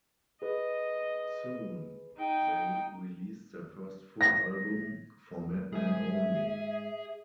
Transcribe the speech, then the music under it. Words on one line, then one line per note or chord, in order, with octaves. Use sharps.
Soon, they released their first full album,"For Madmen Only".
G#4 B4 D#5
D#4 G5
A#6
G#2 G#4 E5 G#5